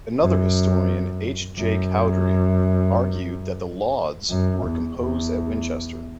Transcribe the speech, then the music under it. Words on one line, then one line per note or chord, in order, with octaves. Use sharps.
Another historian, H. J. Cowdrey, argued that the "laudes" were composed at Winchester.
F#2
F#2
F#2
E2
E2